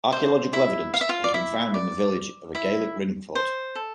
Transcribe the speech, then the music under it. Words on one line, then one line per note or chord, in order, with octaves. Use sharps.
Archaeological evidence has been found in the village of a Gaelic ringfort.
C5
E4 E5
F5
E5
F4 F5
D5
E4 E5
D5
E4 E5
C5
A4